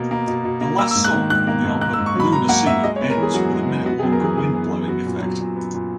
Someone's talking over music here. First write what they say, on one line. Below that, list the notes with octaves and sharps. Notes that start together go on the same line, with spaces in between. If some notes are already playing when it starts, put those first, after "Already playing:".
The last song on the album, "Lunar Sea", ends with a minute-long wind-blowing effect.
Already playing: B2 A#3 B3
A#3
B2
B2
A#3
A#3 E6
E6
G#2
F#6
D#3
G#2 F#6
A#3
G#2
A#3 F#6
E6
G#2
C#6
F#3 B5
G#2 A#5
A#3 F#5
G#2 E5
G#3 D#5
C#5
B3
A#4
E3
G#4
F#2 F#4
G#3
B3
B3 F#4
G#4
F#2
A#4
E3 G#4
F#2 G#4
B3
F#2
B3 F#4
A#2
F#3
A#2
B3
A#2